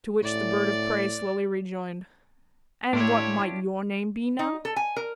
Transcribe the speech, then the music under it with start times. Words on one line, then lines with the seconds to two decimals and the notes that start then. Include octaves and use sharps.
To which the bird of prey slowly rejoined, 'And what might YOUR name be, now?'
0.23 A2 D5
2.93 A2 D4 E4 F4 G4 C#5
4.39 D#4
4.65 A4
4.76 G#5
4.96 A#4